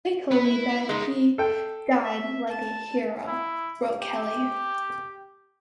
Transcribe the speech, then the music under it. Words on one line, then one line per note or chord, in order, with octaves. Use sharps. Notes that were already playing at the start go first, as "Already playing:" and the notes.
'They told me that he died like a hero,' wrote Kelly.
B3 B4
E4
G#3 A#3 D#4 G4
A4 G5
E5
A5
E4
G4